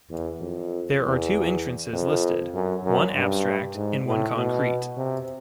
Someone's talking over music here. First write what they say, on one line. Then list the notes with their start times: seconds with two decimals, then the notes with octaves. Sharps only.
There are two entrances listed, one abstract and one concrete.
0.11 E2
0.41 F2
1.02 E2
1.93 F2
2.54 F#2
2.84 F#2
3.15 G2
3.75 G#2
4.06 A2
4.36 B2
4.97 C3